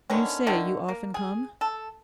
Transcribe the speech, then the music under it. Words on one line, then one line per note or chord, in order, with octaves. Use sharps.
'You say you often come?'
D3 D#3 B3 C#4
D3 D#3 A3
A#3
G#4
A4